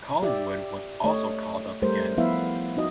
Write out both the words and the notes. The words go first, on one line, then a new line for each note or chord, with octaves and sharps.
Collingwood was also called up again.
G4 D5 E5
A3 C#5 D#5
G3 A3 G4 A#4 C5
F3 B3 E4 B4 E5 F5
D#4 F#4 D#5